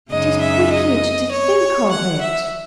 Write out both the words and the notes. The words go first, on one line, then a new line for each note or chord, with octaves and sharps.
"It is wicked to think of it."
F#2 C#3 G#3 D#4 D#5
E5
D#5
C#5
F#5
E5